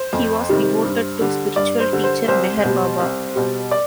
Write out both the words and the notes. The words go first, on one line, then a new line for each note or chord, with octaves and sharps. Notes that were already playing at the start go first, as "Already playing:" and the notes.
He was devoted to spiritual teacher Meher Baba.
Already playing: C5
F2
C3 D#3 G3
G2
D3 G3
G2 D5
C5
D3 G3
C5
C2 C5
B2 G3
C2
B2 G3
D5